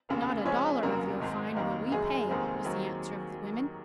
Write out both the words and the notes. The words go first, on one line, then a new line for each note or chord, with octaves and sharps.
"Not a dollar of your fine will we pay," was the answer of the women.
F1 D#2 C#3
F2 C#3 G#3 C4 C#4 C#5
F1 D#2 C#3 F#3 A#4
G#1 G#2 D#3
F1 D#2 D#3 A#3
F#1 F#2 D#3 G#3 G#4
G#4
F1 D#2 D#3 G#3 C4
D#2 D#3 F#3 C4